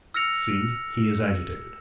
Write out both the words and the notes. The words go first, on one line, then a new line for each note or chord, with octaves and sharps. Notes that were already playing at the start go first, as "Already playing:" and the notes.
'See, he is agitated!'
E6 F6 A#6 C#7 F7